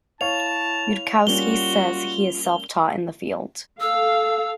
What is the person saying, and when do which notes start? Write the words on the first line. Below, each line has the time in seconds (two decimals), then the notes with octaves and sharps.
Yudkowsky says he is self-taught in the field.
0.21 E4 C#5 F5 A5 C#6 F7
1.27 G3 A#3 C#4 F4 F#4 G7
3.80 A4 F5 E6